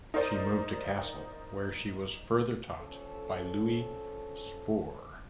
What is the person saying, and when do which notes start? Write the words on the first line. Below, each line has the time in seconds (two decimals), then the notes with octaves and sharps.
She moved to Kassel where she was further taught by Louis Spohr.
0.14 D#4 A#4 C5 D5
2.80 F3 C#4 A4